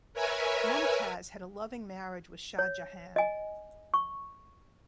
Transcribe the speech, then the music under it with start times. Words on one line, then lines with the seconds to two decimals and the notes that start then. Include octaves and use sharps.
Mumtaz had a loving marriage with Shah Jahan.
0.14 A#4 B4 C#5 E5 G#5
2.59 C#5
3.16 D#5 G#5
3.94 C#6